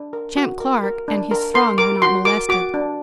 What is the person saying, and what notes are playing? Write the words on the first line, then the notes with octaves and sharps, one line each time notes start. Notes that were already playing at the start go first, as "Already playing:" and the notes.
Champ Clark and his throng were not molested.
Already playing: D4
A#4
F#4
A#4
A#4
D4
A#4
A#4 C6
A#4 D6
F#4 C6
A#4 D6
F#4 D6
D4